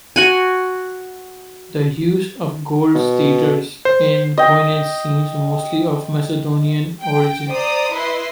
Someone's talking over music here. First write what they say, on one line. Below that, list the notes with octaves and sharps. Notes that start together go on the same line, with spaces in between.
The use of gold staters in coinage seems mostly of Macedonian origin.
F#4 F#5 G#5
B2
C5
D#5 G5
G5
C5 D5 A#5 D#6
E4 B4 D#5 C6